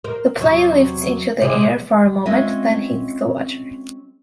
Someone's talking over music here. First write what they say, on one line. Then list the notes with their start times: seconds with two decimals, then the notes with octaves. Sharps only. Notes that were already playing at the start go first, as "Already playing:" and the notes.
The plane lifts into the air for a moment, then hits the water.
0.04 A#4 C5
0.38 E2 C3 F#3
1.41 C3 E3 G#3
2.26 G#3 C4 C#4 F4 D#5 E5